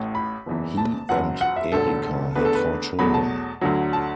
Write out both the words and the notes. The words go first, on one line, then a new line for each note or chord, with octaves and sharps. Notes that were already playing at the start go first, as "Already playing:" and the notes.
He and Erika had four children.
Already playing: A1 A2 A3
B5
F#1 E2 E3
A5
F#1 F#2 F#3 F#5
F#5
E5
E1 D2 D3 A4
E2 D3 A3 B4
A4
B4
E2 B2 F#3 A3 B5
A5
D2 D3 F#3
A5